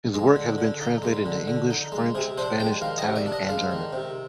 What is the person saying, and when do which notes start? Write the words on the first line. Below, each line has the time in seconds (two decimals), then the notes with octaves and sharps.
His work has been translated into English, French, Spanish, Italian and German.
0.14 G#3
0.36 D3
0.58 D3
0.81 D#4
1.03 G#3
1.26 D3
1.48 D3
1.70 D#4
1.92 G#3
2.15 C3 G#4
2.38 D4 C5
2.60 G#3 G5
2.81 D#3 F5
2.98 D#5
3.05 C3
3.16 D5
3.26 D4
3.32 D#5
3.49 G#3 F5
3.71 D#3
3.93 C3